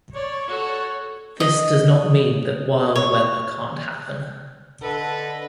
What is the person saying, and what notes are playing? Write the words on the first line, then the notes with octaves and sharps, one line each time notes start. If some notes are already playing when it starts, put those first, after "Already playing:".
This does not mean that wild weather can't happen.
C#5 D5
F#4 A4
D#5
C#5
D3 A4 B4 D#5